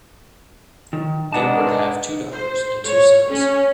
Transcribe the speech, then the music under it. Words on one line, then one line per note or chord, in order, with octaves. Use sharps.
They were to have two daughters and two sons.
D#3
G#3 D4 D#4 B4 F#5 A5
C5
C#5
C#4